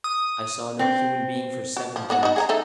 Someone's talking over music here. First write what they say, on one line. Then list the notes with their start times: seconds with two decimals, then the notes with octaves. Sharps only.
I saw no human being for seven days.
0.04 D#6
0.79 C4
1.77 F#4
1.96 F3
2.10 B3 F#4 F#5
2.23 D#4 F#4
2.36 G#4 F#5 A#5
2.49 A3 D#4 A4